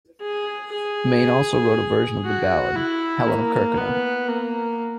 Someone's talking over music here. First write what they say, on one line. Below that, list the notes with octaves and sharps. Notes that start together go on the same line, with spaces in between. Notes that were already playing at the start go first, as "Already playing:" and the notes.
Mayne also wrote a version of the ballad, "Helen of Kirkconnel".
G#4
G#4
F#4
E4
A#3
B3
A#3